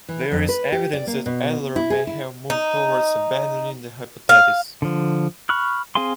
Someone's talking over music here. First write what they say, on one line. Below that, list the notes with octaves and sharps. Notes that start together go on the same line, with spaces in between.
There is evidence that Adler may have moved towards abandoning the hypothesis.
E3
F2
B4
G4
D5
A#3
B2
E4
G#4
E4
D#4
F5
D3 F3
B5 C#6 F6 F#6
C4 G#4 F5 G#5 C6